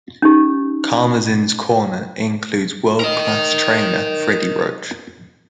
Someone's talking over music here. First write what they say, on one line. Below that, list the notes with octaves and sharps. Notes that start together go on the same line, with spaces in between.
Karmazin's corner includes world-class trainer Freddie Roach.
C#4 D#4 G4
A#4 D#5